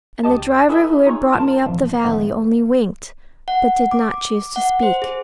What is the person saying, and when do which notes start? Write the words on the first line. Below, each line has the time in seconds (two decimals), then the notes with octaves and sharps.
And the driver who had brought me up the valley only winked, but did not choose to speak.
0.23 C#2 G4 D#5 A5
0.69 E4 G#4 A4 B4 D#5 E5
1.06 D#4 F4 G#4 C#5
1.33 G2 F4 A#4 A5
1.66 B1 F2 A2 E3 F3
2.04 A2 D3 D#3 F3 A3 B3
3.48 F#5
3.91 D6
4.56 F#5
4.83 C5
5.02 G#4